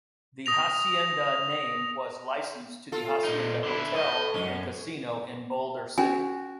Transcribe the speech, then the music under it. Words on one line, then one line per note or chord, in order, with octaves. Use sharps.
The Hacienda name was licensed to the Hacienda Hotel and Casino in Boulder City.
D#6 A#6 F7
F4 A4
A#2 D#4
D3 E4
A2 D#5
B1 F#2 C#4
C#4 F#4 G#5